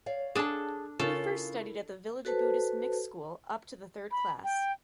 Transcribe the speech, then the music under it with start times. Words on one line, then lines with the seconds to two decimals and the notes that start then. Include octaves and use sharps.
He first studied at the village Buddhist mixed school up to the third class.
0.06 C#5 D5 F5
0.35 D4 G#4 A4 A5
0.99 C#3 E4 F4 A4 A#4 C#5
2.25 F#4 A4 B4 C5 A5
4.11 B5
4.44 G5